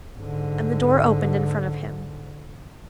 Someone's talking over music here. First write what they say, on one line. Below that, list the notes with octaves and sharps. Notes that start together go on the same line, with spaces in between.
And the door opened in front of him.
G#2 D3